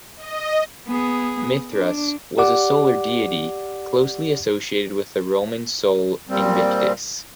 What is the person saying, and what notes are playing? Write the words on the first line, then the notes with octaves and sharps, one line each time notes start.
Mithras was a solar deity, closely associated with the Roman Sol Invictus.
D#5
B3 G#4
D4
G4 D5 F#5 D6
A#2 G3 C4